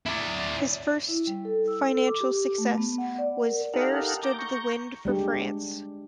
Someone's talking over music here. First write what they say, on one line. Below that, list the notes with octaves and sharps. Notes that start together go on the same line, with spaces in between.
His first financial success was "Fair Stood the Wind for France".
E4 D5
E4
G3
A4
E6
A4
D6
G4
A3
B3
F#5
D5
A#4
D#4 G4 A4 A#4 F5 F#5
A#5 D6 G6
A#5 C#6 G6
G3 G#3 D4 G4